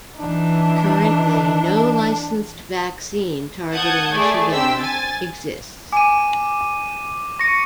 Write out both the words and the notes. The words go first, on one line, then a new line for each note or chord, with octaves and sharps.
Currently, no licensed vaccine targeting "Shigella" exists.
E3 D4 D#4
F#5 A5 D#6 G6 G#6
A3 G#4 D5
C4 D4 G5 E6 B6
G#5 A6
G#5 D6 D#7
C#6 A#6 C#7